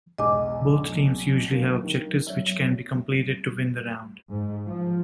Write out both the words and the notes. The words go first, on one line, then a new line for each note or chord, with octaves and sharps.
Both teams usually have objectives which can be completed to win the round.
B1 E2 G#3 D#5 G#5 D6
D3 A#3
D#3
C#5 E5
G#2
F3